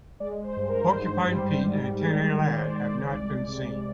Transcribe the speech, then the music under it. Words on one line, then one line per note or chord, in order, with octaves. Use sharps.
Porcupine Pete and Antennae Lad have not been seen.
G#3 D5
C5
G2
A#4
G#2 C5
G3
G#2
G#3
D#3 A#4
D5
C5
G#3 D5
C2 D5
C3